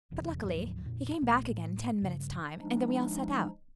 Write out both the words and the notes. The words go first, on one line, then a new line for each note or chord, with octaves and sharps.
But, luckily, he came back again in ten minutes' time, and then we all set out.
F1 E2 C3
D2 G#2 F3 F#3
F2 A#2
B1 A#2 A3
A2
G2 C#3
F3 G#3 D4 D#4